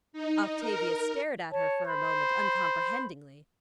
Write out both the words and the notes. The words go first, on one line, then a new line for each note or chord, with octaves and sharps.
Octavia stared at her for a moment uncomprehendingly.
D#4
A#4
C#5 A5
C5 B5